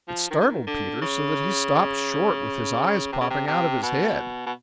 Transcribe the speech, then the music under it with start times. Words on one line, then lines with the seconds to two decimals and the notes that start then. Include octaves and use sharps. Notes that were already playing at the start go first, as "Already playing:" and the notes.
It startled Peter so that he stopped short with his eyes popping out of his head.
0.08 F3
0.31 D#3
0.40 D3
0.49 D#3
0.67 D3
1.01 C#3
3.12 C3
3.21 C#3
3.30 C3
3.47 C3
3.82 B2
4.46 B2